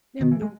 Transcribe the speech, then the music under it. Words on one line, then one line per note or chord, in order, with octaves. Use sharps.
And th
B2 D#3
E3
G#3